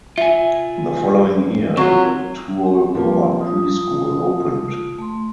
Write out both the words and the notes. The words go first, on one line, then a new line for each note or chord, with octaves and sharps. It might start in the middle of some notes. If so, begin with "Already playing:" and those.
The following year the Tuol Kork preschool opened.
F4 E5 G#5
F#3 C4 F4 C#6
C4 G4
F3 A#3
F4 D#6
A3 C6